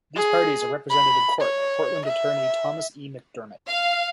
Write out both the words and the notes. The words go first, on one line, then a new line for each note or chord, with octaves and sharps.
These parties are represented in court by Portland attorney Thomas E. McDermott.
G#4
B5
C#5
E5
F5